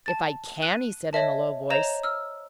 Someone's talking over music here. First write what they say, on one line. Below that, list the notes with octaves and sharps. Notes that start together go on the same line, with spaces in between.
"If I CAN!" he said, in a low voice.
A5 A6
F#6 D#7
C#5 D#5 E5 A5
C5 C#5 D#5 A#5 E7 F7
E6 F6